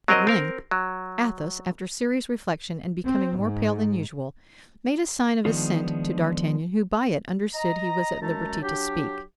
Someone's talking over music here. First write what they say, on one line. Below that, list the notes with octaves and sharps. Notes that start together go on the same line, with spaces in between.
At length Athos, after serious reflection and becoming more pale than usual, made a sign of assent to d'Artagnan, who by it understood he was at liberty to speak.
F#3 C4 A#4 D#5
C4 A#4
F#3
C4
G#2
D#3 F3 G#3 B3 D4 F4
D#5 A#5
F#2 G#3 A3 A5 A#5
F#3 D4 G4